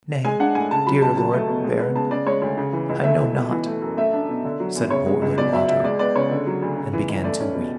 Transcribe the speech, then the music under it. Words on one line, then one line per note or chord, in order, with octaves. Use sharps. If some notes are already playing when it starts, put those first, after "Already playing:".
"Nay, dear Lord Baron, I know not," said poor little Otto, and began to weep.
G#3 G#5
D4 F#5
A2 G#5
C#3 A5
F#3 B5
C#2 A5
F#3 A5
A3
B2
G#3
B3
C#3 A5
C#3 D5
G#3 C#5
D2 C#5
C#3
E3
C#2
A3 E5
E4
B2
E3
A3
F#2
A3 E5
D4
B2
D3
F#3
E2
C#3 C#5
G#3
C#2
B2 D5
F#3 E5
C#2 E5
G#3 D5
B3 D5
C#3 C#5
D3
F#3
D2
C#3
E3
C#2
A3 D5
C#4
B2